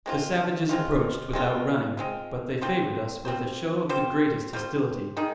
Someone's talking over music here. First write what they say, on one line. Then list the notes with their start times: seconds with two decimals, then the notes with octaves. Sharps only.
The savages approached without running, but they favored us with a show of the greatest hostility.
0.06 G#3 C4 F4
0.69 G#3 C4 F4
1.33 G#3 C4 F4
1.97 G#3 C4 F4
2.62 G3 C4 F4 C5
3.25 G3 C4 F4 C5
3.89 G3 C4 F4 C5
4.53 G3 C4 F4 C5
5.17 D#3 G#3 D#4 G#4